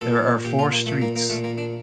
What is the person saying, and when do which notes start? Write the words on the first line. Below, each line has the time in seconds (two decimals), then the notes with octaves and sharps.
There are four streets.
0.01 A#2 A4
0.45 A#2 G4
0.59 F4
0.72 A#3
0.86 A#2 A3
1.02 A#3
1.16 A#3
1.30 A#2 A3
1.44 A#3
1.58 D4